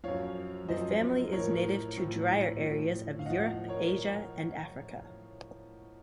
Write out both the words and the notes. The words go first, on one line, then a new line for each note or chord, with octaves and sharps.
The family is native to drier areas of Europe, Asia, and Africa.
F#2 F3 C#5 F5
F#2 F3 C5 D#5
A2 F3 A#4 C#5
A2 F3
A2 F3
F5
A2 F3 D#5 F#5
A#4 C#5